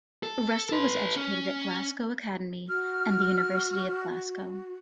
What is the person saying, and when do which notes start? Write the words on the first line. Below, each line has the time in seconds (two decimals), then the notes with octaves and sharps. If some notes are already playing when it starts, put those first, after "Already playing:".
Russell was educated at Glasgow Academy and the University of Glasgow.
0.23 A4
0.69 A4 B4
1.16 C#4
2.68 F#4 F6